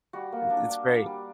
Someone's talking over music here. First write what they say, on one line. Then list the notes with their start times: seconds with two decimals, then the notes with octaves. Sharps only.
it it's great.
0.13 G3 F#4
0.32 A#3
0.50 D4
0.69 D4
0.88 D4
1.06 G3